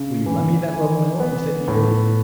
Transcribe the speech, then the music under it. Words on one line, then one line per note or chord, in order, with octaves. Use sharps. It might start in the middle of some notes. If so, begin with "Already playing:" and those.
"Will you lend me that Little Mill?" he said eagerly.
Already playing: C#3
E3
E3
B3
A2